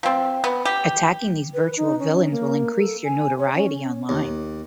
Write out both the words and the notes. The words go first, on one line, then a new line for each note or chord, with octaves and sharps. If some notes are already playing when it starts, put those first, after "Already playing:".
Attacking these virtual villains will increase your notoriety online.
F3 C4
B3
G4
B4
D#4
C#4
A#3
A4
G#5
C#5
C#4
D#2